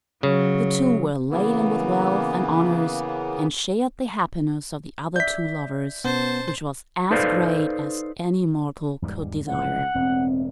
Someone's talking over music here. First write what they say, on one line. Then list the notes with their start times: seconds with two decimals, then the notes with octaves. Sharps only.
The two were laden with wealth and honours, and shared the happiness of the other two lovers, which was as great as any mortal could desire.
0.23 C#3 F#3
1.31 C#3 E3 A#3 B3
5.16 D5 E5 G6 B6
6.04 B2 B3 C#4 C5 A5
7.11 D#4 A4 B4 C5 D5 F5
9.02 E2 G#2 G3
9.47 F1 C#2 E3 F#5
9.95 E1 A2 C4